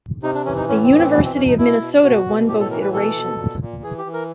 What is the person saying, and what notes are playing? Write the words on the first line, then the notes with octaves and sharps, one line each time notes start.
The University of Minnesota won both iterations.
C3 D#4
D4
E3 C#4
D#4
A2 C#4
C4
E3
C4
B2 B3
C4
B2 C#4
D#4
B2 E4
B2
B2 F#4
B2
A2 G4
A4
E3 A#4
B4
B2 A4
B2
A#2
A#2
E3 G#4
G4
E3
A#4